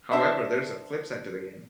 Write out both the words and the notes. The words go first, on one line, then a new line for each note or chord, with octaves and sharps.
However, there is a flip side to the game.
D4 A4 C5 E5